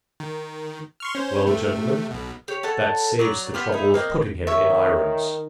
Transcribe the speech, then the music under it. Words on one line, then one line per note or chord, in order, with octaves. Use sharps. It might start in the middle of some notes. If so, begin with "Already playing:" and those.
"Well, gentlemen, that saves the trouble of putting him in irons."
D#3
C6 C#6 F6
C#4 C5
C3 A3
B1 B2
G4 C#5
A4 C#5 F#5 A5
F#3 D5 A#5
B3 F4 G4
D#4 E4
A#3 C4 D#5
D#3 C#5 E5